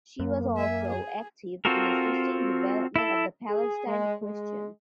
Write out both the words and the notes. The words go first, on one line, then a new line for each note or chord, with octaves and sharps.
She was also active in assisting development of the Palestine question.
F#2 A#3
E5 G#5
G#4
C4 F4 F#4 A4 A#4
E4 A4
G#4
G#3
G#3